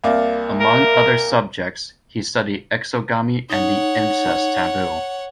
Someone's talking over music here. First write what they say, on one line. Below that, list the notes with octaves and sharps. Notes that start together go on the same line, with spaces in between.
Among other subjects, he studied exogamy and the incest taboo.
C2 A#3 D5
A#4
D#4 C#5 F#5